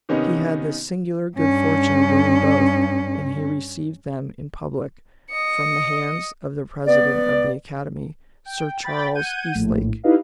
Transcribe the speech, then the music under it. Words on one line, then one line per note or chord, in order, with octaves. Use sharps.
He had the singular good fortune of winning both, and he received them in public from the hands of the President of the Academy, Sir Charles Eastlake.
C3 D#3 B3 C#4 D#4
G2 C#4
D#5 C#7
B3 D5
G5
G5 B5 A6
F#5 G6 G#6 D#7
A#1 A2
D#4 E4 G4 B4 D#5 F5